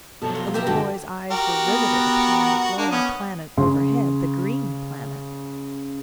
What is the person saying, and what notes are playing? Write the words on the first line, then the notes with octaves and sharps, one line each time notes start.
The little boy's eyes were riveted upon the glowing planet overhead, the green planet.
B2 F3 F#3 A4
F4
G4 E5 A#5
G2 D3 F#4 A4
F#4 G4 A#4
B3
A#3 D4
B3 C#4 D#6
C#3 C6